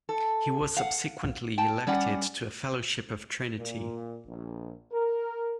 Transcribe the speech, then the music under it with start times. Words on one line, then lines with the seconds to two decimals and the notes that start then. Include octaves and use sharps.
He was subsequently elected to a Fellowship of Trinity.
0.09 A4
0.77 F5 F#5
1.58 G5 A5
1.87 G3 C#4 D5 F#5
3.57 A#2
4.26 A#1
4.92 A#4